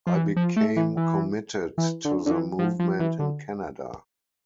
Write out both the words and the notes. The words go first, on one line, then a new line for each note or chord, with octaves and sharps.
I became committed to the movement in Canada.
F3
E3
F3
A3
E3
E3
E3
D3
D3
E3
F3
F3
E3
D3